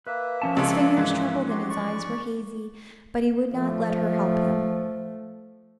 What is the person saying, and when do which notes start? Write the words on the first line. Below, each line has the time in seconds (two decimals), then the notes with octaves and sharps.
His fingers trembled and his eyes were hazy, but he would not let her help him.
0.07 A#3 B4 E5
0.42 F3 C#4 A5
0.57 C#2 G#3
0.97 G#2 E3 G#3
1.50 F#4 G4 C6
1.70 D5 C#6
3.52 F3 A3